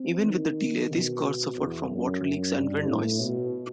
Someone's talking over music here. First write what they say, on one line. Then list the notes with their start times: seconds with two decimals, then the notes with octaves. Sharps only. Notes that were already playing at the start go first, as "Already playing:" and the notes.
Even with the delay, these cars suffered from water leaks and wind noise.
Already playing: C4
0.25 D#3
0.91 B2
1.57 E2
1.88 F#2
2.21 F#2
2.54 G2
2.86 A2
3.20 B2